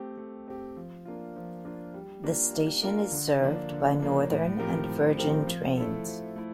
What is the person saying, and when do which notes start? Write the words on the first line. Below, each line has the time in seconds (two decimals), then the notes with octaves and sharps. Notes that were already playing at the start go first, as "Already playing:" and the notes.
The station is served by Northern and Virgin Trains.
Already playing: A3 C4 G4
0.18 A3
0.48 C4 G4
0.76 F3
1.05 A#3 D4 F4
1.36 F3
1.65 A#3 D4 F4
1.94 G3
2.24 A#3 D4 F4 A#4
2.53 G3
2.82 A#3 D4 F4 A#4
3.12 D3
3.41 F3 A#3 D4
3.72 D3
4.00 F3 A#3 D4
4.31 A2
4.59 F3 C4 G4 A#4
4.89 A2
5.18 F3 C4 G4 A#4
5.47 F3
5.77 A3 E4 A4
6.07 F3
6.36 A3 E4